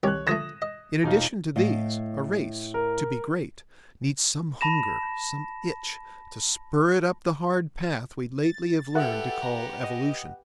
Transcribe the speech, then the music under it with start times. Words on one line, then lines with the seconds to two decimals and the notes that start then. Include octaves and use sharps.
In addition to these, a race, to be great, needs some hunger, some itch, to spur it up the hard path we lately have learned to call evolution.
0.03 C2 D#3 G4 C#5 F#6
0.27 D3 F3 A3 D#6 A#6 E7
0.62 D#5
1.03 E1 D#4 F4
1.56 A2 D#5 F5
2.74 A#4
4.61 A5 B5 A#6 E7
8.43 A6
8.95 B3 F#4 G4 A4 E5 F#5
9.42 A#5
9.84 D#5